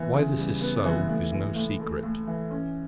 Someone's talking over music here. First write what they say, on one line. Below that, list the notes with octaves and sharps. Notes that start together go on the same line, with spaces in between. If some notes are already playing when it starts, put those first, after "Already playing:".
Why this is so is no secret.
Already playing: E3 B3
C#3
G3
B3
E3
A2
E3
A2
A3
A2
E3
C#4